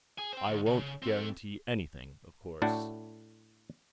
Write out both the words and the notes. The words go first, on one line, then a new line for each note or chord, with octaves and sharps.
"I won't guarantee anything, of course...."
G#4 G#5
C5 G5
D2
C#3
C4 A4
A2 A3 D4 F#4